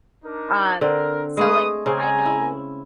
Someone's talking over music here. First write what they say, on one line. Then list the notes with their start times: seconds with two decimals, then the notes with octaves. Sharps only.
Um, so, like, I know
0.24 D4 D#4 A#4
0.81 D3 C4 A#4
1.37 G#3 A3 G#4 B4 D#6
1.86 C#3 C4 G#5 A#5
2.26 E4